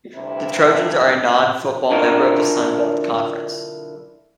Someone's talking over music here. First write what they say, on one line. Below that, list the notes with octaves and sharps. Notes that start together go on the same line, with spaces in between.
The Trojans are a non-football member of the Sun Belt Conference.
D2 G2 C3 E4
B1 D3 D4 E4 F4 A#4